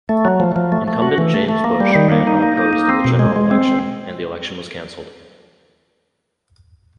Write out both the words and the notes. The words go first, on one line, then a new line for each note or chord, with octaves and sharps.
Incumbent James Bush ran unopposed in the general election and the election was canceled.
A3
F#3
F3
F3
A3
A3
F#4
E3
A3
A3
A#3
G3
D#3
A#3
D#4
A#3
D#4
A#3
C4
B2
G#3
G#3
C4